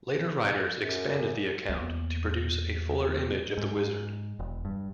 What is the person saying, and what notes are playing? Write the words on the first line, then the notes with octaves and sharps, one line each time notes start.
Later writers expanded the account to produce a fuller image of the wizard.
F#2
E2 A#3
G#2
E1
G2